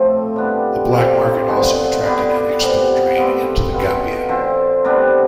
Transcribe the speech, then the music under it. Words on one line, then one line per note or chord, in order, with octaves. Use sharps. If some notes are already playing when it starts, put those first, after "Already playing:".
The black market also attracted an export drain into the Gambia.
Already playing: A2 F3 A3 C4
G3 B3 D4 G4
G3 C4 F4 A4
D3 F3 B3
D3 G3 B3
C3 G3 B3
G3 B3 F4 A4
B2 B3 F4 A4
D3 F3 C4
C3 G3 B3 D4